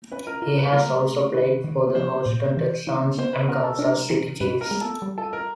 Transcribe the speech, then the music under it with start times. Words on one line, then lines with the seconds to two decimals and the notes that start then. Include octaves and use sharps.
He has also played for the Houston Texans and Kansas City Chiefs.
0.12 C#4 B4
0.27 A#4
0.42 F4 A#4
0.58 B4
0.73 F#3 A#4
1.03 A3
1.34 D#3 B4
1.64 D#3
1.95 F3 C5
2.26 A#2
2.57 E3
2.87 E3
3.18 B3 C5
3.33 B4
3.48 B3 A#4
3.64 A4
3.79 D4 A#4
4.10 E3
4.40 G#2 B4
4.61 A#4
4.71 G#3
4.81 A4
5.02 G3
5.18 A4
5.33 A#4